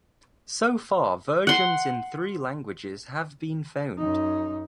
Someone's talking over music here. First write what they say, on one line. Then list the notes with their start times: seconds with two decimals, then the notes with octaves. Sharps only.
So far versions in three languages have been found.
1.47 F#5 C6
3.98 F#2 D#4